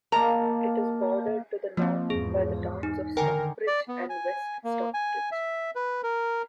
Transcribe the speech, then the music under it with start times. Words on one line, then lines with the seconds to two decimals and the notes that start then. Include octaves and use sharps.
It is bordered to the north by the towns of Stockbridge and West Stockbridge.
0.12 A#3 A#4 D#5 F5 A5 A#5
1.77 F3 A#3 C4
2.10 E2 G#2 G#4
2.83 D#4
3.17 D3 D#3 A#4 G5 G#5
3.67 D5
3.88 B3
4.09 G#5
4.64 A#3
4.94 G#5
5.32 E5
5.75 B4
6.03 A#4